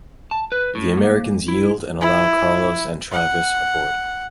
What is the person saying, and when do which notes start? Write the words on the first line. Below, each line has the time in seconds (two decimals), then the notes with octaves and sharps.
The Americans yield and allow Carlos and Travis aboard.
0.31 A5
0.52 B4
0.75 A2
0.97 A#3
1.48 E4
2.01 E4
3.12 F#5